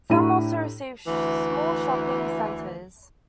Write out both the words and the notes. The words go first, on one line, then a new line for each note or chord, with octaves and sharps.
Some also received small shopping centers.
A2 D4 E4 G4 A#5 D#7
D2 E3